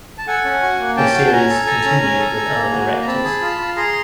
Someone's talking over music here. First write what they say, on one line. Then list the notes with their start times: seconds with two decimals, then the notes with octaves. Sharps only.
The series continued with other directors.
0.18 A5
0.27 A4 F#5 G#5
0.44 C#4
0.62 F#4
0.79 A#3
0.96 C#4 G5 A5
1.14 F#4
1.27 A5
1.32 C#4 G#5 A#5
1.49 A4
1.66 A4
1.85 C#4
2.02 C#4
2.19 A4
2.37 A4
2.54 A#3
2.72 F#4
2.90 A#3
3.01 A#5
3.06 C4 A5 B5
3.24 G#4
3.42 F4
3.59 F4
3.76 G#4 A#5 C6